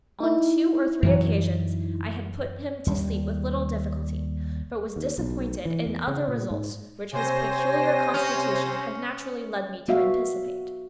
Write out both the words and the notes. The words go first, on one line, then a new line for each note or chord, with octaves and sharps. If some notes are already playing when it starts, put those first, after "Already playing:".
On two or three occasions I had put him to sleep with little difficulty, but was disappointed in other results which his peculiar constitution had naturally led me to anticipate.
D#4 E4
F#2 E3 F#3
D#2 G3
D#2
B1
E3
E2
C#3
A#2
G#2
C3 C5 C#5 G#5 A#6
C#4
B3 F#4 E5 F5